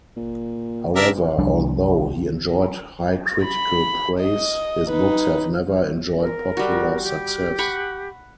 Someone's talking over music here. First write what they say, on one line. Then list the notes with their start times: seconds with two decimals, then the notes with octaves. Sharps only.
However, although he enjoyed high critical praise, his books have never enjoyed popular success.
0.16 A#2
0.96 C#3 D4 A#4 E5
1.38 C2 F3 G3 D4
3.44 B5
4.20 D#5
4.89 D#4 B4
6.19 A#4
6.57 G3 F#4
7.03 G4
7.58 F#5 B5 C#6